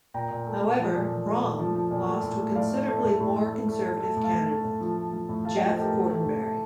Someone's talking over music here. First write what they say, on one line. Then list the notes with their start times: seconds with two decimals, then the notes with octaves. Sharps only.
However, Bromm lost to a considerably more conservative candidate, Jeff Fortenberry.
0.14 A#2 G5 A#5
0.31 A#2
0.47 A3
0.63 A#2
0.79 F3
0.95 A#2
1.11 A#2
1.27 A3
1.43 A#2
1.59 F3
1.75 F3
1.91 A#2
2.07 A3
2.23 A2
2.39 A3
2.55 A2 D5 F5
2.72 A3
2.88 A3
3.04 A2
3.21 A2
3.36 A3
3.52 A3
3.68 A3
3.84 A3
4.00 A3
4.16 A2
4.24 F5 A5
4.32 A2
4.49 A3
4.65 A2
4.81 F3
4.97 A3
5.13 F3
5.29 A2
5.45 A3 F5 A5
5.57 F3 D#5 G5
5.69 C5 D#5
5.77 A3 G4 A#4
5.93 A2
6.09 A3
6.26 A2
6.42 A3